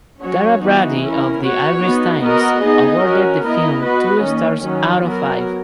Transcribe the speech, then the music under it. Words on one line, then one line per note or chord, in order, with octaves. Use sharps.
Tara Brady of "The Irish Times" awarded the film two stars out of five.
F#3 C#4 F#4 C#5
E3 B3 D#4 F#4
C#4 E4 A#4
B3 F#4 C#5
B3 D#4 F#4
B3 F#4 A#4 D#5
B3 D#4 G#4 D#5
C#4 F#4 A#4
B3 E4 A#4 D#5
B3 F#4 B4 D#5
D#3 A#3 C#4
D#3 F#3 C#4
F#3 B3 F#4 A#4